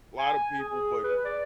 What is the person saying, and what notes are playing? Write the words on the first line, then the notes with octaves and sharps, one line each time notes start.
lotta people but
G#5
G#4
B4
D5